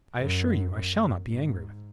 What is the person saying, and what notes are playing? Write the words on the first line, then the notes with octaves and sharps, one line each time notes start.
"I assure you I shall not be angry with you."
F#2
F#2
G#2